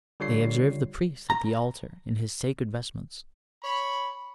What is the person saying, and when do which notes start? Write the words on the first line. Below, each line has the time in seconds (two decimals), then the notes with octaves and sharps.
They observed the Priest at the altar in his sacred vestments.
0.20 D3 G3 F4 C#5 C7
1.30 A#5
3.64 C#5 B5